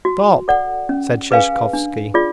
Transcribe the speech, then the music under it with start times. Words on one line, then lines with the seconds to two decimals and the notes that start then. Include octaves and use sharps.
"Stop!" said Sheshkovsky.
0.05 F#4
0.48 A4 D5 F#5
0.89 C#4
1.31 G#4 B4 F5 G#5
1.73 D4
2.14 F4 G#4 D5